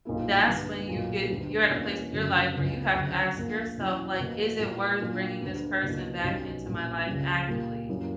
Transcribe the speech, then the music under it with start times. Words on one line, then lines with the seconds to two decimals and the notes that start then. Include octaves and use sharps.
that's when you get you're at a place in your life where you have to ask yourself, like, "Is it worth bringing this person back into my life actively?"
0.05 B1 A#2 A#3 E4
0.47 G2 D3 G3 B3
0.88 B1 A#2 F#3
1.30 D2 D3 G3 B3 D4
1.70 E2 B2 A#3 C#4
2.12 F#1 F#2 D3 F#3
2.53 C#2 C#3 E3 B3
2.94 D2 C#3 F#3
3.36 A#1 A#2 A#3
3.77 E2 B2 F#3 C#4 E4
4.17 E2 B2 A#3
4.59 A#2 G3 B3 E4
5.00 A#2 F#3 A#3 D4 F#4
5.41 D2 D3 G3 B3 D4
5.83 C#2 B2 A#3 E4
6.23 B1 B2 G3 C#4
6.65 A#1 A#2 G3 C#4
7.07 C#2 C#3 G3
7.48 A#2 G3 A#3
7.89 F#2 E3 G3 A#3